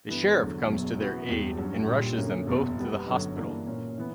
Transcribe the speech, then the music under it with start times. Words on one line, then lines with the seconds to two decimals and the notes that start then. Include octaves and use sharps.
The sheriff comes to their aid and rushes them both to the hospital.
0.08 G2 E3 B3
0.38 E2 D3 F#3
0.68 F#1 E2 B2 F#3
0.98 F#2 E3 B3 F#4
1.28 E1 E2 B2 G3
1.57 G2 F#3 C#4
1.87 A#1 A#2 G3
2.17 F#2 D3 A#3 C#4
2.47 F#1 E2 B2
2.77 B2 G3 B3 F#4
3.07 G1 F#2 D3 F#3 C#4
3.36 G2 E3 A#3 D4
3.66 A#2 A#3 C#4
3.97 E3 B3